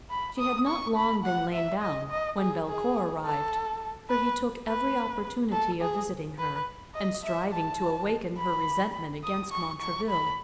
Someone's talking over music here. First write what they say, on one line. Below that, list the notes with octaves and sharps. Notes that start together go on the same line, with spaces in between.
She had not long been lain down, when Belcour arrived, for he took every opportunity of visiting her, and striving to awaken her resentment against Montraville.
B5
D#6
C#6
B5
F#5
E5
D#5
D#5
G#4
G#4
A4
B4
B4
A4
G#4
B4
D#5
E5
A5
B5
D#6
C#6
C#6
B5